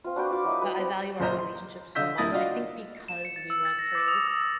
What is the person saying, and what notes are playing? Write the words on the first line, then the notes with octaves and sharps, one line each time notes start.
But I value our relationship so much, I think because we went through
C4 F4
D4 F#4 B4 G5
F4 D5 D6
F#3 E4 D#5
B4
C4
F#1 A#2 C5 D#5 A#5
C6
D3 D#5 F5 E6 G6 B6
D#1 A#3 E4 D#6 A6 A#6
D4 F4 F#4 D#5 F5
E7
C#7
A6
E6
A6
A#6
D6
D#6
E6
D#6